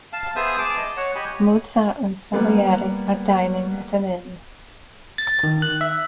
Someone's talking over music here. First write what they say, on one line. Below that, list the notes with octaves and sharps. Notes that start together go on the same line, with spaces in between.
Mozart and Salieri are dining at an inn.
F5 A5
B3 G#4 C5 E5 D#6
G#4 A5 D6
D#5
C#5 F#5
G4 D#5 G#5 B5
G3 A#3 B3 B4
A6
D#3
F#6
E5